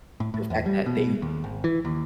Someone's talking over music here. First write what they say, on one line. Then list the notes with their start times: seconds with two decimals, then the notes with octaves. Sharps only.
the fact that they
0.20 A2
0.34 A2
0.50 E2
0.66 G3
0.86 B2
1.22 D#2
1.44 G#1
1.64 E3
1.85 D#2